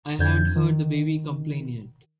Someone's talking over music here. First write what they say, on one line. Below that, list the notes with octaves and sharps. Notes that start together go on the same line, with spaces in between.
I haven't heard the baby complain yet.
F2 D3 G6 G#6
D#3